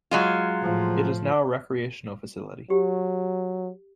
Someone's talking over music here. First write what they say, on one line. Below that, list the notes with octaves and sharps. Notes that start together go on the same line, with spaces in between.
It is now a recreational facility.
F#3 G#3 F4
A2 F3
F#3 G4